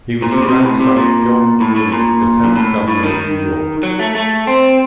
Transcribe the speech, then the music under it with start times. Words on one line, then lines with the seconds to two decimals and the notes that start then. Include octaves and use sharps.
He was the grandson of John Broome, Lieutenant Governor of New York.
0.22 A#2
0.32 C3
0.42 C#3
0.48 C3
0.64 A2
0.80 C3
0.96 A#2
1.60 A2
1.76 A2
1.92 A#2
2.44 F#2
2.56 A2
2.88 A2
3.03 D#3
3.83 F#3
3.99 A3
4.15 A3
4.47 C4